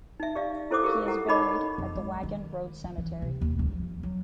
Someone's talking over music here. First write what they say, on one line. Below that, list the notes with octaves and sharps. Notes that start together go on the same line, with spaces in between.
He is buried at the Waggon Road Cemetery.
D#4 E5
G4 D5 F5
E4 A4 C5 F#5 D6 D#6
G4 G#4 A#4 F5 C#6
E4 A4 F#5 A#5
D#4 A#4 C#5 D#5 B5 D6
F2
G#3
D#3
D#3
E3
C3
D#2
C#2
F3
F#3